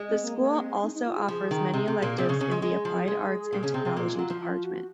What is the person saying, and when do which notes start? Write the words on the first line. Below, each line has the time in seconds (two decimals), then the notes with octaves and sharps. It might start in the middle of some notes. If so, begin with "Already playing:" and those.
The school also offers many electives in the Applied Arts and Technology Department.
Already playing: G#3
0.09 C4
0.24 A#3
0.39 A#3
0.61 C4
0.83 D#4
0.95 D#4
1.06 F4
1.17 G#4
1.28 F3 G#4
1.51 D#3
1.74 C3
1.88 C3
2.02 A#2 A#3
2.18 C3 C4 G#4
2.29 C#3 C#4
2.41 C#3 C#4
2.51 G#3
2.62 G#3 G#4
2.85 F3
3.08 G#3
3.52 A#2 A#3
3.63 C#3 C#4
3.74 C3 C4
3.85 C3 C4
3.96 A#2 A#3 F4
4.08 G#3
4.19 F#3
4.30 F3
4.41 F4
4.64 F#4